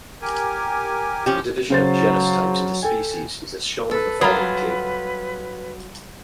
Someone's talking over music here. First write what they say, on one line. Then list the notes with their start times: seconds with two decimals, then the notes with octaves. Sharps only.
The division of genus types into species is as shown in the following table.
0.21 G4 A#4 G#5
1.26 F3 C#4 G4
1.70 C#3 F#3 C5 A6
2.83 A4 G5 G#5
3.91 A4 B4
4.21 F#3 G3 F4 A#5 B5 D#6